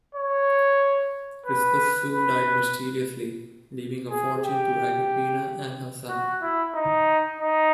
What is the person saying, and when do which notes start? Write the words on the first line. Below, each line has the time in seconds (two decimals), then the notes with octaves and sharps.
Crispus soon died mysteriously, leaving a fortune to Agrippina and her son.
0.15 C#5
1.46 B4
2.13 B4
4.10 G#4
4.44 G4
6.09 F#4
6.42 E4
6.74 D#4
7.40 D#4